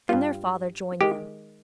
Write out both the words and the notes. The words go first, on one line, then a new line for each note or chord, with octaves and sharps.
Then their father joined them.
G2 G3 F4
D#3 G#3 G4